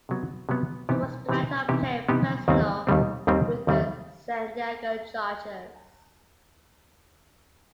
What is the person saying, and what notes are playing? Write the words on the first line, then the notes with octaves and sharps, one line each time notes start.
He was the director of player personnel with the San Diego Chargers.
C3 F#3 B3
C3 F#3 B3
C3 E3 B3 D#4 G4
C3 E3 B3 D#4 G4
C3 E3 B3 D#4 G4
C3 E3 B3 D#4 G4
D#2 D#3 G3 C4
D#2 D#3 G3 C4
D#2 D#3 G3 C4
D#2 D#3 G3 C4